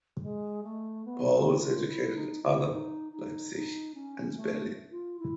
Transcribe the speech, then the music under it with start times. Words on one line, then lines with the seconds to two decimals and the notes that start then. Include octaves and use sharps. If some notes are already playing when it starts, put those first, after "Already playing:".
Paul was educated at Halle, Leipzig, and Berlin.
0.22 G#3
0.63 A3
1.05 B3
1.32 C4
1.60 F4
1.87 E4
2.15 D#4
2.43 E4
2.70 D#4
3.12 D#4
3.54 D#4
3.95 C#4
4.37 A3
4.91 F4
5.20 E4